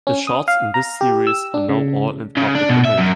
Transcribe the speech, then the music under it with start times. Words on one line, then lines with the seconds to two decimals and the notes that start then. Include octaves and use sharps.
The shorts in this series are now all in the public domain.
0.07 C#4
0.27 D#6
0.48 F5
0.74 A#5
1.01 G4
1.27 E6
1.54 D4
1.69 C#3
2.37 C#3
2.55 D4
2.69 B2
2.85 E5
2.98 F#2